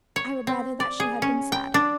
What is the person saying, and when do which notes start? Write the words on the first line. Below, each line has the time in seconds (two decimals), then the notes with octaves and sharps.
I would rather that she had been sad.
0.16 C#5
0.47 C4
0.80 D5
1.00 G#4
1.22 C#4
1.52 G5
1.74 D4